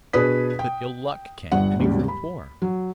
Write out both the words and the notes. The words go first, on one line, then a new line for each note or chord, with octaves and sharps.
But ill luck came, and he grew poor.
B2 D4 G#4 B4 D#6 B6
G5
G1 G2 F#5
D#2 G#2 C#3 F#3 G3
B5
F#3